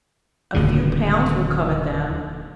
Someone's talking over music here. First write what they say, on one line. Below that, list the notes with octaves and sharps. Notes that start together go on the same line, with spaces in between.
A few pounds will cover them.'
D#1 D2 A#2 C#3